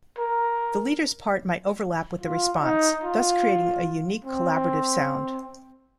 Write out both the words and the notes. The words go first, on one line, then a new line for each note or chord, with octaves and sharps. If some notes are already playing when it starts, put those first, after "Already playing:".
The leader's part might overlap with the response, thus creating a unique collaborative sound.
A#4
F4
D#4
F4
C4